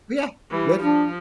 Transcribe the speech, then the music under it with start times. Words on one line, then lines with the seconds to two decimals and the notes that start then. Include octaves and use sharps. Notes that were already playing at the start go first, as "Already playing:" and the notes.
Oh yeah. Good.
0.50 E3 G3
0.81 F3 D4